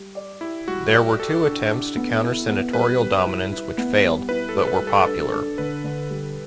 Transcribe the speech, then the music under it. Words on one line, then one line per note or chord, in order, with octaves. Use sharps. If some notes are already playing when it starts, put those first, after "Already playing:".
There were two attempts to counter senatorial dominance which failed, but were popular.
Already playing: G3
D5
E4 G4
G3 F#4
G4 D5
G4 A4
D4
D4
B3
E4
B3
G3 B4
G3
E4
E4
B3
G3
E4 B4
A4
G3
B4
G3
A4
D4 A4
D4 A4
D3 B4
D3
G3